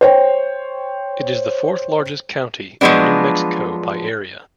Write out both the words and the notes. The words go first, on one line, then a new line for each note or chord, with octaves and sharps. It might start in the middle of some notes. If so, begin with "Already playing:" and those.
It is the fourth-largest county in New Mexico by area.
C5 C#5 G5
F3 F#3 G#3 B3 D4